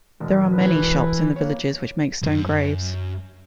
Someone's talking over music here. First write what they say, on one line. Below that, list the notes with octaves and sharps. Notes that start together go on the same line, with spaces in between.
There are many shops in the villages which makes stone graves.
E1 G#3
B4
E3
A#3 C#5
C2 F#2